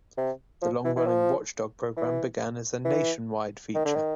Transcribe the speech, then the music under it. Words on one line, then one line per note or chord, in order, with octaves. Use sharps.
The long-running "Watchdog" programme began as a "Nationwide" feature.
C3
F3
E3
E3
F3
E3
E3
D#3
D3
D#3